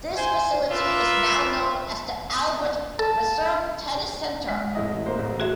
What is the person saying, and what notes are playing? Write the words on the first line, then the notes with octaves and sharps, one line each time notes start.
This facility is now known as the Albert Reserve Tennis Centre.
C5 G#5
F4 A#4 B4 D5 E5
A4 A5
G#3
A1 E4 D#5
A#3 C5
A1
F#4 G#4 E5